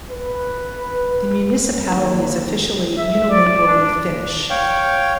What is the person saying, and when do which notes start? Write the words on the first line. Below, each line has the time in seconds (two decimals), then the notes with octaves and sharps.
The municipality is officially unilingually Finnish.
0.10 B4
1.91 D#2
2.98 E5
3.30 D5
3.67 D4
4.50 C#5 F5 G5